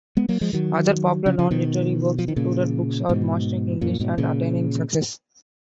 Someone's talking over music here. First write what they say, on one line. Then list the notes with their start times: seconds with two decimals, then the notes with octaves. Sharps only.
Other popular non-literary works included books on mastering English and attaining success.
0.17 G#3 B3
0.29 F#3 A#3
0.41 F3 G#3
0.53 D#3 F#3
1.26 C#3 F3
1.39 C#3 F3
1.51 B2 D#3
2.19 F3
2.28 D#3
2.36 A#2 C#3
3.09 G#2 B2
3.81 F#2 A#2
4.00 G#2 B2
4.18 A#2 C#3